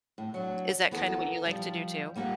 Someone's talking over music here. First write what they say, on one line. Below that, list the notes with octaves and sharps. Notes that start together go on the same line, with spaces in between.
Is that kind of what you like to do too?
A2
F#3 D4
E3 B3 A4 A#4
F3 G3
G3 A#3 F4 G4 F#5